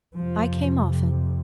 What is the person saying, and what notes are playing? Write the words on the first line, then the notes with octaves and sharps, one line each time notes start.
I came often.
F2 C3 F3